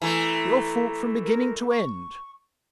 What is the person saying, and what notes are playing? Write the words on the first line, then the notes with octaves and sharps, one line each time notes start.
'Your fault from beginning to end.'
E3 A3 A#5
A#4
C#6